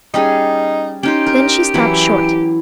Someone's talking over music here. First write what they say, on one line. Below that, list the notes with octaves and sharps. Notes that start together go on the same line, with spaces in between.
Then she stopped short.
G3 C#4 D#4 G#4
C#4 D#4 G4 C5
A#4
E3 F#3 E4